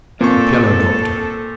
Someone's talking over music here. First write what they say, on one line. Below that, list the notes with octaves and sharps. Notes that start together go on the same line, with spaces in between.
The "Piano Doctor."
A#2 C4 A4 C#6